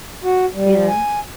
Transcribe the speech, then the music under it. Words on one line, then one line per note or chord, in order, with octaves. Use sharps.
you know?
F#4
G3
G#5